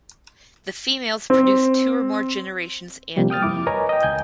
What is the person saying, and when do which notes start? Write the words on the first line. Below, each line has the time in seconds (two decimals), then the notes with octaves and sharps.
The females produce two or more generations annually.
1.30 C4
3.16 C3 F3 G3 A#3
3.30 G5 D#6 F6 A6
3.43 F2 E4 D6
3.67 A#4 B4 C#5 D#5 G#5 A#5
3.89 D#5 G5
4.03 C#2 G#5 G6